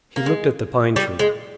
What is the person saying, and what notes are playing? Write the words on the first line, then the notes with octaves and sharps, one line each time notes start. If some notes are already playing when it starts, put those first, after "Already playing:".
He looked at the pine-tree.
A#3
G#3
G3
G#3